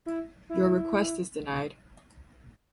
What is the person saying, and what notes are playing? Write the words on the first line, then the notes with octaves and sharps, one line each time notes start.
Your request is denied.
E4
E4